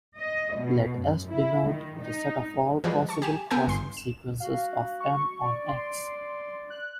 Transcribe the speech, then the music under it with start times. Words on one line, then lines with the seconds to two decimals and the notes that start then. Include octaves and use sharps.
Let "S" denote the set of all possible crossing sequences of "M" on "x".
0.18 D#5
0.56 B2
0.99 F#2
1.30 E4
1.67 D#3
2.01 D#4
2.84 E3 F3 G3 G#3
3.09 A5 C#6
3.22 G4 G#5 E7
3.51 B3 A4 A#4 G#5 A#5 G6
3.67 G1 C6
3.97 E7
4.40 F#4 F5
5.00 C#6
5.42 D5
5.68 C6
6.70 F#6